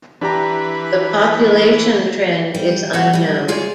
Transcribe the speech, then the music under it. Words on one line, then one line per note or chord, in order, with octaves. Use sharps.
The population trend is unknown.
E3 D4 G4 B4 A#5
G3
A4 C#5 F#5
E3 G3
F4 G#4 C#5 D5